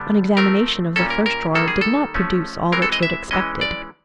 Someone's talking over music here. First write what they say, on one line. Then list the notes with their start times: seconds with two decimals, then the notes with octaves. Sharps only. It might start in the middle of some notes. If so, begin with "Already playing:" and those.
An examination of the first drawer did not produce all that she had expected.
Already playing: D3 G3 B3 D4
0.37 F3 A3 C4 A#4
0.96 A#2 G3 A#3 C#4 A4
1.10 A#4
1.26 A#4
1.54 D#3 G3 A#3 A4
1.68 G#4
1.81 A4
2.14 F3 A3 C#4
2.72 E3 G#3 C4 A#4
2.82 A4
2.92 D#5
3.03 E5
3.31 E3 G#3 C#4 D#5
3.61 D5